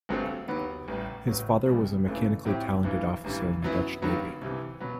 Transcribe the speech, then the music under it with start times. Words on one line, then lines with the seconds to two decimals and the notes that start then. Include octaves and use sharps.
His father was a mechanically talented officer in the Dutch Navy.
0.09 G1 G2 F#3 A3 C4
0.48 D#2 D#3 F#3 B3
0.88 A1 A2 G3
1.27 A1 A2 F#3
1.66 C2 B2 G3
2.06 G1 F#2 E3 A3
2.45 A2 F#3 C4 E4 G4
2.84 G1 G2 E3
3.24 A1 G2 E3
3.62 F#2 F#3 B3 E4
4.02 G2 D#3 F#3 B3
4.41 C2 C3 E3
4.80 B2 F#3 B3